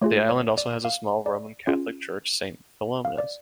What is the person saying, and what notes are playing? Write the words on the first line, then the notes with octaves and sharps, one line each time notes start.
The Island also has a small Roman Catholic Church- Saint Philomena's.
A3 F4 G#4 C#5
C#5
D5
F5
D5
C#4 F4 G#4
F5
D5